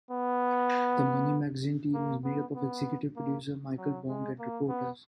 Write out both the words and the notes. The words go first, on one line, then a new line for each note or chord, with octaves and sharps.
The "Money Magazine" team is made up of executive producer Michael Wong and reporters.
B3
A#3
B3
B3
A#3
F#3
G#3
A#3
B3